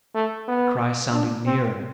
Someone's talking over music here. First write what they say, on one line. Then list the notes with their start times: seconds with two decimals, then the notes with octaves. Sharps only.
The cries sounded nearer.
0.15 A3
0.48 B3
1.13 D4
1.46 C4